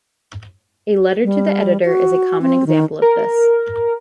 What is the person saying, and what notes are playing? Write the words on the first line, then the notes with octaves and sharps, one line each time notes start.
A letter to the editor is a common example of this.
G3
F#4
C4
D#3
A#4